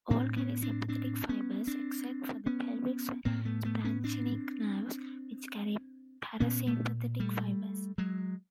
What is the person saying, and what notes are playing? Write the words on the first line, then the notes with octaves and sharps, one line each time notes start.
All carry sympathetic fibers except for the pelvic splanchnic nerves, which carry parasympathetic fibers.
A2 C4 D4
B3 C#4
C4 D4
C4 D4
B3 C#4
C4 D4
B3 C#4
A2 A#3 C4
A3 B3
A3 B3
B3 C#4
C4 D4
A#2 B3 C#4
A3 B3
G3 A3
F#3 G#3